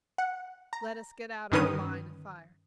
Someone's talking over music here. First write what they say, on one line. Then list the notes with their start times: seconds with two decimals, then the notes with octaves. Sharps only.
"Let us get out of the line of fire."
0.18 F#5
0.73 A#5
1.52 G2 D3 D#3 C#4 B4 D#6